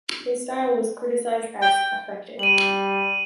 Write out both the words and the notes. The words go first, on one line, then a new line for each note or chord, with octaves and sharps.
His style was criticized as affected.
G5
G3 D#7 F#7